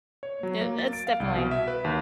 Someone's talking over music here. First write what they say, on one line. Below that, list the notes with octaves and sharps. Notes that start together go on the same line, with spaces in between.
that that's definitely
C#5
F#3
A#3
A6
D7
F5
C2
B2
E5
B4
D#2